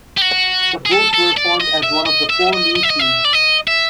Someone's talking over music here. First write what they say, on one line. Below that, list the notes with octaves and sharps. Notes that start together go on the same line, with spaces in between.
The Bulls were formed as one of the four new teams.
G4
F#4
G#4
A4
A4
D5
D#5
E5
D#5
E5
D#5
D#5
E5
D#5
E5
D5
D#5
E5